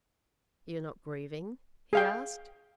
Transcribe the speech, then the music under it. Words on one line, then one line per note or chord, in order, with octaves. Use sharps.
"You're not grieving?" he asked.
G#4 F5 G5